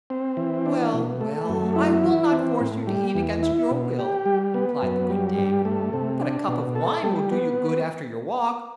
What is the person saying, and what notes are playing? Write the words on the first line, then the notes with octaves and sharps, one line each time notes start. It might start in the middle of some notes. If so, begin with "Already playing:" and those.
"Well, well, I will not force you to eat against your will," replied the good dame "But a cup of wine will do you good after your walk."
C4
E3
D4
B2
A3
F#2
E4
E3
C4
A2
G3
E2
E4
B2
G4
G3
B3
F#2
G3
G2
A3
C3
D4
B2
A4
G3
B3